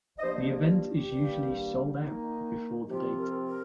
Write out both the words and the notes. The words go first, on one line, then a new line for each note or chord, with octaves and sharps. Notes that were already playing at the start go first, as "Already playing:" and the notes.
The event is usually "sold out" before the date.
D#5
G2 F3 A#3 C5
F4
G4
G2 D#3 G3 A#3
D#3 A#3 D#4
C3 F3 C4 F4 G4
A#4
A#4